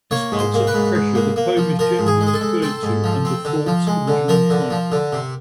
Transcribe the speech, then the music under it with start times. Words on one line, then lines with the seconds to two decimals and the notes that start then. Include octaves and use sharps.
Despite such pressure, the poem is generally referred to under Thorpe's original title.
0.11 A#3 C#5
0.32 G#2
0.39 C5
0.54 A#3
0.67 B4
0.74 G#2
0.95 G#2
1.15 A#3
1.36 A#3
1.57 F3
1.79 F3 A#4
1.99 G#2
2.07 G#4
2.21 G#3
2.27 G#4
2.34 A4
2.41 G#3
2.62 C4 A4
2.83 G#2
3.04 F3
3.25 C4
3.45 D3
3.67 F3
3.87 G#3
4.08 D3
4.28 F3 A#4
4.50 D3
4.71 F3
4.92 D3
5.13 C3